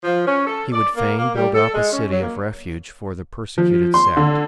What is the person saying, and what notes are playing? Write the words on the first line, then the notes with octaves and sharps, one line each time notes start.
He would fain build up a city of refuge for the persecuted sect.
F3
C#4
A4
D5
A#3
A#3
G3
A4
G#3
C#4
F#3
A#3
F3
C6
D3